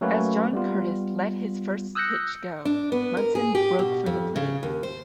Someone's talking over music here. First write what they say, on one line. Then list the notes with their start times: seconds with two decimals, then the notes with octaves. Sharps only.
As John Curtis let his first pitch go, Munson broke for the plate.
0.01 F#3 A3 A#3 C#4 F#4 B4
0.53 G3 B3 F4
1.95 D#6 E6 F#6 G6 A#6 C#7
2.65 D4
2.92 B3
3.17 A#4
3.35 G#4
3.55 G4
3.79 B2
4.06 F2
4.36 C#3
4.63 D#2
4.83 C5